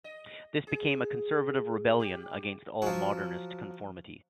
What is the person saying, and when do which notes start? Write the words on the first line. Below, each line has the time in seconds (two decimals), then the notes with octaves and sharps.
This became a conservative rebellion against all modernist conformity.
0.04 D#5
0.67 G#4
2.00 G4
2.82 F3 F#3